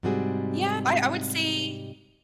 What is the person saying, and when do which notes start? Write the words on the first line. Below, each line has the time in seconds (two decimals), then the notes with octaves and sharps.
Yeah, I I would say
0.03 G#2 C3 G3 C4 F#4 G#4